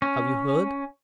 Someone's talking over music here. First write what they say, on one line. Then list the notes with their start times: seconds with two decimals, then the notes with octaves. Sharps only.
Have you heard?
0.02 C#4